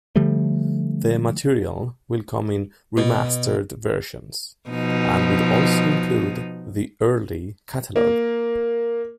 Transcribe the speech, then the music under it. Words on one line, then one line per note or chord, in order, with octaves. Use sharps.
The material will come in remastered versions and will also include the early catalogue.
D3 F3 G3 A3
B2
B2 F3 D#4
A#3